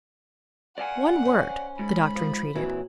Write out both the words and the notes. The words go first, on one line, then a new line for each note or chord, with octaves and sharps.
"One word," the Doctor entreated.
D5 F5 F#5 G#5
C#4 C5
G#2 B5
F3
F2 A#2 E3 F#3